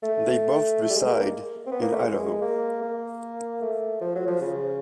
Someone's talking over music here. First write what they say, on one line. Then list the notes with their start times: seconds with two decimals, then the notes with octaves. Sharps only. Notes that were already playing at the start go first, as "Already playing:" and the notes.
They both reside in Idaho.
0.03 A3
0.82 A3
0.90 G3
0.96 G#3
1.09 A#3
1.66 C4
1.72 B3
1.82 A#3
1.92 A3
2.02 G#3
2.41 A#3
2.82 A#3
3.61 A3
4.01 F3
4.15 F#3
4.27 F3
4.41 C#3